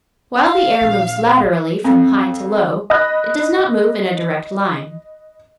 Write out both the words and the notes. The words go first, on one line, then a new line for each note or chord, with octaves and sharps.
While the air moves laterally from high to low, it does not move in a direct line.
F5
A#1
F2
D#5 B5 F#6 A#6